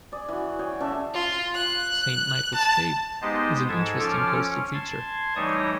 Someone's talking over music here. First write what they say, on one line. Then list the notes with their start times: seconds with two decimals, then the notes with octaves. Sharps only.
Saint Michaels Cave is an interesting coastal feature.
0.12 G#4 D5
0.28 E3 F#4
0.59 G#4 C#5 G5
0.81 C#3 A4 D5 E5
1.14 F4
1.55 F#6
2.55 A5
3.22 G#3 B3 D#4 G4 C5 D#5
3.68 G#2 A4 A5 G#6
3.99 F3 C#4 F4 A4 D6 F6
4.33 C#4
4.74 A5 C6 G#6
5.36 E3 G3 A3 D#4 C#5 D#6